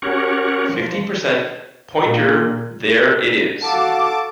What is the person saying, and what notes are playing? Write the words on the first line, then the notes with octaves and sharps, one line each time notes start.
Fifty percent pointer-there it is!
C#4 F#4 G4 A#4 C#5 F#5
F3
A#2
F#4 A4 F5 F#5 A5 D6